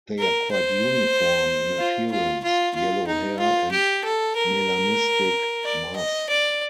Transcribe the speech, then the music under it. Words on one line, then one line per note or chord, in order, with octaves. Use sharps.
They are quite uniform in appearance, yellow hair and melanistic masks.
A#4
C5
F4
F4
F4
F4
D#4
F4
G4
A4
A#4
D5
D#5
D5